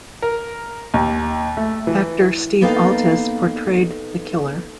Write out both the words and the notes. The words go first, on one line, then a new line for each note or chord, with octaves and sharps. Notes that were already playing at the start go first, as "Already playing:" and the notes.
Actor Steve Altes portrayed the killer.
A#4
D#2
A3
E3
A#3 B3 D#4 A4 F5 G5